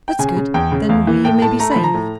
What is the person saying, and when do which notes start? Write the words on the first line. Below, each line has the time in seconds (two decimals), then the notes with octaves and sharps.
"That's good; then we may be saved."
0.08 G5
0.19 C#3 G#5
0.37 C#3
0.54 E2 G5
0.72 C#3
0.89 E2 F5
1.07 E3
1.24 A2 G5
1.42 A2 A5
1.59 A3 A#5
1.72 F3 B5
1.83 A#5
1.94 A2